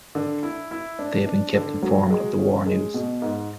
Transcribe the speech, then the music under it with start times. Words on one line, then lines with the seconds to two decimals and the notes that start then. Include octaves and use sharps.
They had been kept informed of the war news.
0.15 D3
0.43 E4
0.71 E4
0.99 D4
1.26 D4
1.55 D3
1.82 F#3
2.10 G#3
2.39 C#4
2.67 G#3
2.94 B2
3.22 G#2